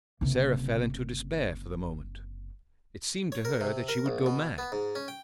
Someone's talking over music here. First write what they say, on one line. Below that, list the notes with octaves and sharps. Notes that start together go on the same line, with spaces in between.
Sarah fell into despair for the moment: it seemed to her that she would go mad.
F#1 C3
C#5
A#4
C3
A#4
A#1
B2
B3
G#2
C#4
G5